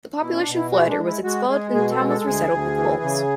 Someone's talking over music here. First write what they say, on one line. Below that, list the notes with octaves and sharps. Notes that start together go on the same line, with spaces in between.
The population fled or was expelled and the town was resettled with Poles.
B2 E4
C#4
D4
B2
E4
G#3 F#4
D4
G#3
E4
G#3 F#4
G#3 G#4
B2 G#4
A4
G#3
A4
A4
D2 G#4
D2
E3
C#3